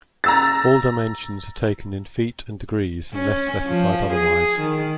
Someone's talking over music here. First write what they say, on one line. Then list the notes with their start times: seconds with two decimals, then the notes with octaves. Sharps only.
All dimensions are taken in feet and degrees unless specified otherwise.
0.24 A#5 E6 A6
3.14 C#4
3.67 F3
4.12 G#4
4.59 D#3